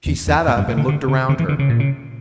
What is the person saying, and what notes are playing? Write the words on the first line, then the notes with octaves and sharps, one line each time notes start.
She sat up and looked around her.
E2
E2
A2
G2
A2
D3
D3
C#3
D3
E3
D3
C#3
A#2
C#3